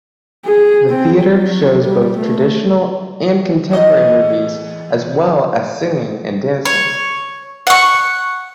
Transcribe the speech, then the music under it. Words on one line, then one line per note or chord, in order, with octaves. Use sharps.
The theatre shows both traditional and contemporary movies as well as singing and dancing.
G#4
C4
F#3
G3
A3
E2 D#5
C#5
F#5 C#6